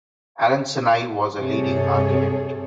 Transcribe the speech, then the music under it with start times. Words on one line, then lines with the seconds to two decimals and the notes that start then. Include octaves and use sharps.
Allen Sinai was a leading architect.
1.39 G2 C3 G#4 A4 C#5